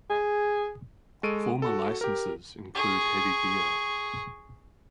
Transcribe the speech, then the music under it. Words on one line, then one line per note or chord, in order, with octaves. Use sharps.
Former licences include Heavy Gear.
G#4
G#3 A4 C#6 D7 D#7
F#4 A4
G4 A#4
G#4 C#6